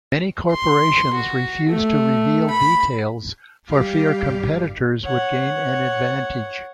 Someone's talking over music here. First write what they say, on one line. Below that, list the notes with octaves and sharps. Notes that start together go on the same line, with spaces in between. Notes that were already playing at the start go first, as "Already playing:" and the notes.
Many corporations refused to reveal details for fear competitors would gain an advantage.
C6
F#4
A3
B5
G3 G4 F5
G1
C#5 F#5